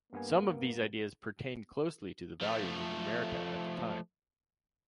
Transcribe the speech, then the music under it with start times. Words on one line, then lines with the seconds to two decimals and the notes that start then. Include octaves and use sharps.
Some of these ideas pertained closely to the values of America at the time.
0.13 G2 A#3 B3 G#5
2.41 F3 A3